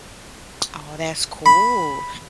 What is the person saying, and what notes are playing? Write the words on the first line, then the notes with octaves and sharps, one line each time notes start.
Oh, that's cool.
B5